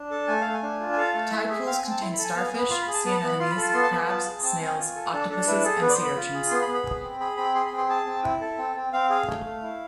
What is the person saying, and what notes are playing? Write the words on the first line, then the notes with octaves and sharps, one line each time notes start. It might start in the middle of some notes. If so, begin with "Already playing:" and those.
Tidepools contain starfish, sea anemones, crabs, snails, octopuses and sea urchins.
Already playing: D4
A4 A5
A3 G#5
A3 F5
G#5
D4
F4
G#5
A4 F5
A3
E4 E5
G#4 E5
C4 F5
G#5
C4
A5
E4 C6
B5
A4
G#5
B3 F5
G#5
B3
B5
F4 C6
B5
G#4
A5
B3 A5
B5
A5
B3
B5
F4 C6
B5
A4
C6
B3 C6
A5
B3 B5
F4 A5
G#4
C4 A5
C4 G#5
F4
A4
D4 A4
D4 A4
E4 B4
G#4 A4
B3 B4
D5
C5
B3
B5
F4
G#4
B3 C6
B5
B3
B5
G#4
C4
G#4 B5
C4 B5
G#4 C6
B5
C4
C6
G#4 A5
C4
E4
A4
C4
C4
C4 F5
G#4 F5
A3
A3
E4